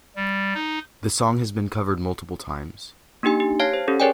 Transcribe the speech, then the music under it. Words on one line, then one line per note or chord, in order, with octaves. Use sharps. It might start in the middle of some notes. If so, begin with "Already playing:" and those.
The song has been covered multiple times.
G3
D#4
A#3 D4 D#4 G4 G#5
G4
C#5 F5 A5 F6 G#6 C7
C5
C#4 G4 A4
G#4 A#4 C#5 D5 G5 G#5